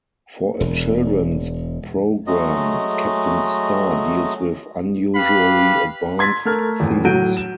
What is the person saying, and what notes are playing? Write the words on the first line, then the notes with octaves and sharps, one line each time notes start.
For a children's program, Captain Star deals with unusually advanced themes.
E1
F#3 G#3 A3 D#5
G4 B4 F5 B5
C6 G#6 A6 B6
A3 A#4 F6 G#6
E2 A2
A2 F#3 F#4 G6 D7 D#7
E7